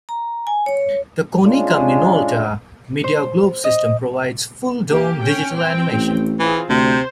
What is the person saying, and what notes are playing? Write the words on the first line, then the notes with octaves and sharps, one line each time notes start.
The Konica Minolta Mediaglobe system provides full-dome digital animation.
A#5
G#5
C#5
G#3 C#4 D4 F4
C5
D#5
A#3 G4
C#4 G5
C4 G5
A1
E3 C4 F4 G#4
D2 C3 C5